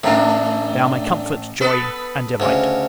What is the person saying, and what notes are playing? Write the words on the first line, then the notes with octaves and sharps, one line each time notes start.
They are my comfort, joy, and delight.
A1 A2 A3 D4
B3 A4 B4
D2 C#3